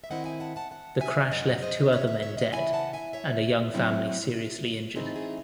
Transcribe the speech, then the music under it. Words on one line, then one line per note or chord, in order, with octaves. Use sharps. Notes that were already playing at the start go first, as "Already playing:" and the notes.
The crash left two other men dead and a young family seriously injured.
E5
D#3 G#3 C4 E4 D#5 F#5
E5 G#5
F#5 A5
F#5 A5
F#5 A5
E5 G#5
F#2 E3 G#3 D#5 F#5
C5 D#5
C#5 E5
C#5 E5
C#5 E5
D#5 F#5
C#3 E3 G#3 C#4 E4 E5 G#5
F#5 A5
E5 G#5
C#5 E5
A2 F#3 C4 E4
A2 E3 C4 D#4 G#4
G#4